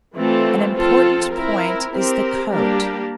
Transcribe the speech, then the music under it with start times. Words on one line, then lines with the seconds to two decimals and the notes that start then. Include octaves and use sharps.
An important point is the coat.
0.16 E3 A3 C4 F4 A4
0.75 F3 C4 F4 A4
1.33 C4 E4 A#4
1.91 C4 G4 A#4
2.51 G3 A#3 D4 G4 A#4